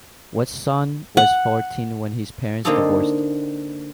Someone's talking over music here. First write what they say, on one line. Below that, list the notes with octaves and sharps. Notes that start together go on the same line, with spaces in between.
Watson was fourteen when his parents divorced.
F#5
D3 A#3 C4 D#4 G4 A4